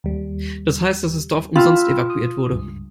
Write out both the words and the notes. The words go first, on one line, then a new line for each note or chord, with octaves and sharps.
Das heißt, dass das Dorf umsonst evakuiert wurde.
D#2 G3
F4 G5 B5 E6
D#6
C#2 G2